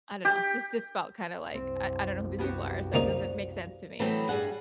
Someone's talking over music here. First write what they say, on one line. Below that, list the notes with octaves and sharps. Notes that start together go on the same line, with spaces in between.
I don't know, it just felt kind of like, I I don't know who these people are, so it doesn't make sense to me.
G4
C2 F#2 C4
B3 F#4 G4
C#2 A#3 D#4 C5 D5 F5
E3 F#3 A3 B3 C4
G2 C#3 G#4 F#5